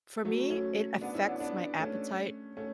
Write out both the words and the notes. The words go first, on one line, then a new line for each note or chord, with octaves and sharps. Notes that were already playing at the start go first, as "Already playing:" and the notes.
For me, it affects my appetite.
F#3 A3
A3 C#4
B3 D4
C#4 E4
B3 D4
B3 D4
A3 C#4
A3 C#4